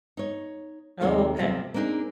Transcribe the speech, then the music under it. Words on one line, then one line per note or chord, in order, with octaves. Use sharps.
Oh, okay.
D#4 C#5
D#2 C3 A#3 D#4 A4 C#5
C3 F3 G3 A#3
A#3 C4 D4 D#4 G#4